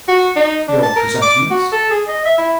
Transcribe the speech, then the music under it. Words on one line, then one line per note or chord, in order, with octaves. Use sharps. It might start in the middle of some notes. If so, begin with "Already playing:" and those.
"Your presentiments?"
F#4
D#4
D4
A5
A#4
D6
F#4
A4
G#4
D#5
E5
E4